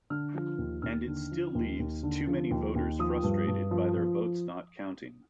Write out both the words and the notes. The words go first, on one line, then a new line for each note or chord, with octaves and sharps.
And it still leaves too many voters frustrated by their votes not counting.
D3 F6
F3
D#2
D#2 F6
D3
F3
D#2
D#2
D3
F3
D#2
D#2
F3 D#6
G2
G2
F3
F3